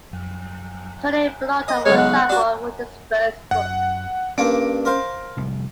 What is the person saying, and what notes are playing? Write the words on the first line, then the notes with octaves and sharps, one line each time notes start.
Tony Bellotto, for example, wrote his first book.
D#5
B1 C#3 G#3 C#5
F#5
D4 F#4
F#2 F#5
G2 A#3 C#4 D4 D7
A#4 C5 F5
F1 C2